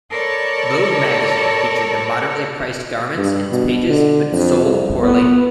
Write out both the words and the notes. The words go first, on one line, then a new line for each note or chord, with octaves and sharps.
Vogue magazine featured the moderately priced garments in its pages, but it sold poorly.
A4 A#4 C#5 D5 A5 B5
G2
B2
D3
F2
C2
B3